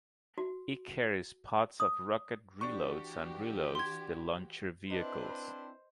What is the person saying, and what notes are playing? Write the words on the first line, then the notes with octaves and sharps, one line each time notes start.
It carries pods of rocket reloads and reloads the launcher vehicles.
F#4
D#6
E3 D4 F#4 G4 C#6
C6 G#6
C4 D4 E4 B4 C5 D#5